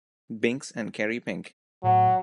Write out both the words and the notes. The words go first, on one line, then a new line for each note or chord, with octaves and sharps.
Binks and Kerry Pink.
A2 F#3